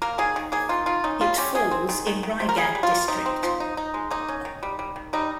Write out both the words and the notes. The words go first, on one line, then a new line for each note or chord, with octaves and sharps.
It falls in Raigad district.
A#3 A#4
D#3 G#4
D#3
A#3 G#4
D#4 F4
D#3 F4
C#4 D#4
G3 F4
C#4 G4
D#3 G#4
C4
D#3
D#3
D#3
C3
A#4
G3 G#4
G3
F4
A#3
C3 D#4
C4
F3
D#4
D#4
G#3
A#3 D#4
C#4
D#3
G3
G3
D#3
G3 D#4